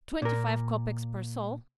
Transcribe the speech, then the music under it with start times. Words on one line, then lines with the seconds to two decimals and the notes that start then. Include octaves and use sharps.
"Twenty-five kopecks per soul."
0.22 A#2 A#4